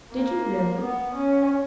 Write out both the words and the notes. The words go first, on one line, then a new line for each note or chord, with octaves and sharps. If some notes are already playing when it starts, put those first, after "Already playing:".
"Did you, really?"
A#3
B3
C#4